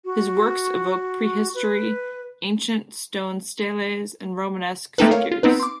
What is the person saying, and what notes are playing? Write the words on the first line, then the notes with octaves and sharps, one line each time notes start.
His works evoke prehistory, ancient stone steles and romanesque figures.
F#4
B4
A3 A#3 C4 D#4 A4 B4
A#4 C#5 F5
F4
B3 C4 D#4 B4
C6 D6